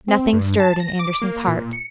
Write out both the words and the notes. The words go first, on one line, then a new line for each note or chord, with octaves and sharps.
Nothing stirred in Andersen's heart.
C4
G2
A5
A#6
D6
A#3
A#2
C#7